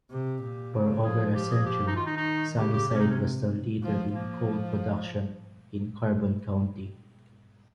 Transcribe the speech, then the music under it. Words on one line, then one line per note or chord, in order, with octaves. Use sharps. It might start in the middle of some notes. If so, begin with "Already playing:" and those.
For over a century, Sunnyside was the leader in coal production in Carbon County.
C3 G4
A#2
C#3
F3 G#4
F3 G4
G#4
G4
D#4
D#3 F4
D#4
D#4
C#3 G4
G4
C3 G4
C#4
D#4
C#4
F3
F3 A#3